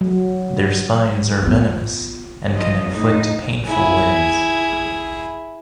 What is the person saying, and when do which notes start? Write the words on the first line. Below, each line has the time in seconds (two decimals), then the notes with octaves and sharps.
Their spines are venomous, and can inflict painful wounds.
0.01 F#3
1.42 B3 F4
2.54 F3 D#5
2.87 F2 A2 D#4
3.67 E4 G#4